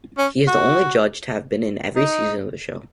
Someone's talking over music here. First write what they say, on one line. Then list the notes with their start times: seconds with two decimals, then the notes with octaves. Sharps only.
He is the only judge to have been in every season of the show.
0.18 C#4
0.48 F#4
1.96 D#4